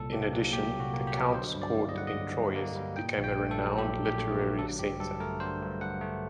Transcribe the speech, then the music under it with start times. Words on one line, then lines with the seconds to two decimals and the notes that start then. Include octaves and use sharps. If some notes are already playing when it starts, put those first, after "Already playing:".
In addition, the count's court in Troyes became a renowned literary center.
Already playing: C2 A#2 A4
0.13 A#3 G4
0.33 F#3
0.53 A#2 G4
0.74 C2
0.80 F#4
0.93 A#3
1.07 G4
1.14 F#3
1.34 D3 C5
1.55 G2
1.62 D5
1.75 A#3
1.89 D#5
1.95 G3 F#5
2.07 D#5
2.15 D3
2.36 G2
2.56 A#3
2.76 G3
2.96 A#2 G5
3.18 A#1
3.24 G5
3.37 A3
3.51 A4
3.58 F#3
3.78 A#2 G4
3.98 A#1
4.05 G4
4.18 A3
4.39 F#3
4.59 D3 A4
4.79 G2 G4
5.00 G2 A4
5.20 A3 A#4
5.40 D3 C5
5.61 G2
5.81 G2 F#5
6.01 A3